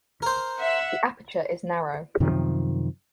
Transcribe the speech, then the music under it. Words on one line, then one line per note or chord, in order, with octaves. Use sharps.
The aperture is narrow.
A#4 C5
E5 F#5
F#2 C3 D#3 F3